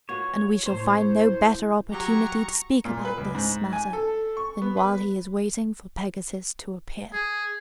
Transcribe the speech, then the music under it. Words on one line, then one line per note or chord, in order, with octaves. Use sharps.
And we shall find no better opportunity to speak about this matter than while he is waiting for Pegasus to appear.
B3 F4 F#4 C#5
A2 C3 C5
F#3 G4 A#5 C#6
A#2
B4
C#2
G#2
G#5
A4
C#6
B3
B4
G#4